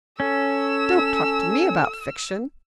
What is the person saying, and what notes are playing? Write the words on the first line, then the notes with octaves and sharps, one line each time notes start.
Don't talk to me about fiction!
C#4 A4 E6